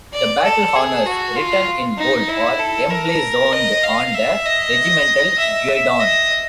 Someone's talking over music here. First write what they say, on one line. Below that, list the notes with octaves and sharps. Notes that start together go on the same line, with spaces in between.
The battle honours written in bold are emblazoned on the regimental guidon.
D5
A4
G#4
F#4
F4
D#4
E4
A4
A#4
D#5
F5
E5
D#5
E5
E5
D#5